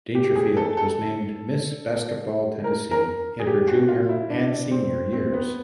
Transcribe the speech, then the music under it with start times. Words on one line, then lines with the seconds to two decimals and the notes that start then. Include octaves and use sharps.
Dangerfield was named Miss Basketball Tennessee in her junior and senior years.
0.15 G4
0.36 G#4
0.57 A4
0.77 A4
2.64 A#4
2.91 A#4
3.40 G#4
3.47 G4
3.68 F#4
3.83 F#4
3.88 F4
4.09 E4
4.30 D4
4.71 C4
5.13 C4
5.33 B3